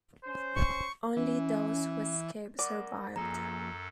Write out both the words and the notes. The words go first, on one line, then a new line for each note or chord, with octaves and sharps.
Only those who escaped survived.
C#4 C5
C#6
E3 C#4
A#4 D5 F#5
F#2 F3 A#3 G#4 A4 A#5